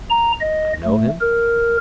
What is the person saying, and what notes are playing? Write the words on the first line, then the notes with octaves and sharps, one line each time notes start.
"I know him?"
A#5
D#5
A3
A#4